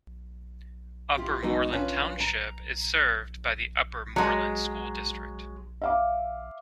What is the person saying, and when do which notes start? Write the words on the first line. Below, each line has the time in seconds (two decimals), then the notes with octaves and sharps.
Upper Moreland Township is served by the Upper Moreland School District.
1.17 E4 F4 G4
1.43 E3 G#3 B3 D#4 F#4
1.73 C#4 D4 F4 B4
2.20 A#5
4.16 F#3 G#3
5.82 E5 F5 D6